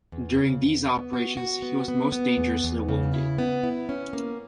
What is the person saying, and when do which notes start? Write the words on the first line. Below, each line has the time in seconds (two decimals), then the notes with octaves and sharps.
During these operations he was most dangerously wounded.
0.12 E2
0.37 C#3
0.62 E2
0.88 B3
1.13 F#4
1.37 F#4
1.62 B3
1.88 B3
2.12 B3
2.37 E2
2.64 E2
2.89 C#3
3.13 E4
3.38 B3
3.63 E4
3.89 C#4
4.13 A#3